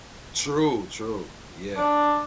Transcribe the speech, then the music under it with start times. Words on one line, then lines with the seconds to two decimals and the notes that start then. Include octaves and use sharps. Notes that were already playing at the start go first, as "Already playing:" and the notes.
True, true. Yeah.
1.77 D4